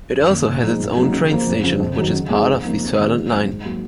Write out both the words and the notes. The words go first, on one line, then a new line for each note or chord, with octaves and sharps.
It also has its own train station, which is part of the Sørland line.
F#2
D#3 A#3 C#4
A#2
F3 G#3 D#4
G#2
F#3 A#3 D#4
C#3
F3 A#3
F2
C#3 F3
F2
D#3 F#3
C#3
G#3 C4 D#4
F2
C#3 F3 A#3 D#4
C3
D#3 G#3 C4
C#3
F#3 C4
G#2
F#3 A#3